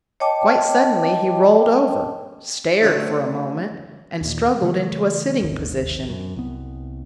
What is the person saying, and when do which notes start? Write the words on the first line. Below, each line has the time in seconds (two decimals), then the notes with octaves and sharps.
Quite suddenly he rolled over, stared for a moment, and struggled into a sitting position.
0.20 C#5 D#5 G5 A5 D6
2.82 A2 D3 F#3 A3 A#3 C4
4.21 D#2 A#2
4.62 C#3 E3 F#3 A3
5.40 D1 G#1 D#2
6.09 F#2
6.36 C2 B3